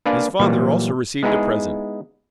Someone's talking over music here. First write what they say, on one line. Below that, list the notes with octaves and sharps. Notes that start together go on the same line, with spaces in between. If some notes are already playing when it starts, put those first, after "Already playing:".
His father also received a present.
A#3 D4 B4 D5 F5 G#5
A#2 E3 F#3 G3 A#3
G#3 B3 D#4 E4 G#4